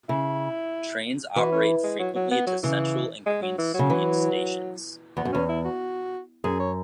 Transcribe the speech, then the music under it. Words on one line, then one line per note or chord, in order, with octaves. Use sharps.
Trains operate frequently to Central and Queen Street stations.
C#3 E4
E3 F#4
C#4
G#3
F#3
F#3
B3
F#3
C#3 E3
G#3
F#3
E3
C#3 F#3
E3
E2 B3
F#2
E2 C#4
E4
F#4
F#2 G#4
C#5